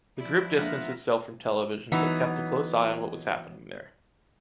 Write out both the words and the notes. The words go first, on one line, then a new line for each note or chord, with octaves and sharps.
The group distanced itself from television but kept a close eye on what was happening there.
F3 E4 D5
G#3 A#3 B3 D4 F4 E5 F#5 A#5
E3 F#3 B3 D#4